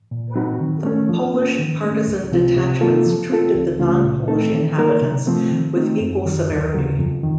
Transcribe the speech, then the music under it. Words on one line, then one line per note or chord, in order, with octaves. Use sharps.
The Polish partisan detachments treated the non-Polish inhabitants with equal severity.
A#2
F#3 C4 D#4 F#4
D#3
A3 C#4
F3
A#3 C#4
D#3
A3 C#4
C#2
C3 F3 C4 F4
C3
F#3 A#3 F4 A4
F3
C4 F4 A4
C#2
C#3 A3 C#4 F4
A#2
A3 C4 D#4 A4
D#3
F#3 A#3 D#4 A#4
C3
F3 A3 C4
D#3
A3 C4 D#4
F#2
D#3 F#3
D#2
C#3 F#3
F2
D#3